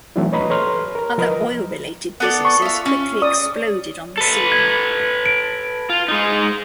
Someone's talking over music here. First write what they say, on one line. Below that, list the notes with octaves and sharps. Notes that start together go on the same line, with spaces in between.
Other oil-related businesses quickly exploded on the scene.
E3 F#3 A3 C4 D4 E4
B4 C#5 D#5 A#5 B5
A4 B4 C#5 A#5 C6 F6
A#4 A#5
F3 A#4 B4 D#5
B3 A4 D5
C#6
E5 F5
C#4
D5 D#6
A4 B4
G#6
D7
F4
G#3 D#4